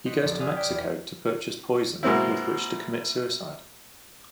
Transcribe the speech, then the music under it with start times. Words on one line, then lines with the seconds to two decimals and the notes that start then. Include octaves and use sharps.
He goes to Mexico to purchase poison with which to commit suicide.
0.06 C4 F#4 C5 D#5 B6 C#7
0.21 F1 B1 A4 D5 F#6 A6
0.39 E5 F5 G#5 D#6 F6 F#6
0.56 G5 D6 B6 D7
0.69 E2
2.03 B2 G#3 A#3 C4 E4